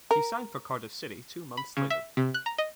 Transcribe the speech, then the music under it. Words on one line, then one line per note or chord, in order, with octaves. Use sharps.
He signed for Cardiff City two months later.
A#4
B5
C#3
E5
C3
F#6
A#5
D#5